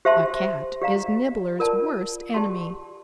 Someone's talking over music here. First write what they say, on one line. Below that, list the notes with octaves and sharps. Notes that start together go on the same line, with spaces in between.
A Cat is Nibbler's worst enemy.
G4 C5 E5 A5 C6
G4 D5 F5 A#5
F4 A#4 D5 A5
G4 D5 A5 C6